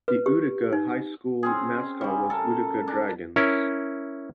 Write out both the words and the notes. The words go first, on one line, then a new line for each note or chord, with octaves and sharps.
The Utica High School mascot was Utica Dragons.
B4
G4
D#4
C4 C#4 G#4
C#3 G3
A4 A#4
D4
C#4 E4 A#4